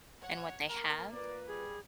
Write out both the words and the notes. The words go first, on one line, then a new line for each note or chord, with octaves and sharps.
and what they have
C#5 F#5
A#3 A#4
F4 B4 D5
G3 G#4